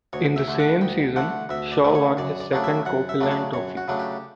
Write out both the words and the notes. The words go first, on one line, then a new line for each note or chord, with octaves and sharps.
In the same season, Shaw won his second Copeland Trophy.
D2 C#5
E5
D3 A3
F#5
D2 G5
D3 A3 F#5
D2 E5
D5
D3 A3
C#5
F#2 D5
D5
C#3 F#3 A3 D4
E5
F#2 F#5
E5
C#3 F#3 A3 D4
D5
F#2 C#5
F#4
C#3 F#3 A3 D4
G4